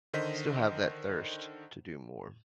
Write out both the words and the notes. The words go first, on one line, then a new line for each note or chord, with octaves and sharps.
still have that thirst to do more.
D3 D#3 C5 D#5 B6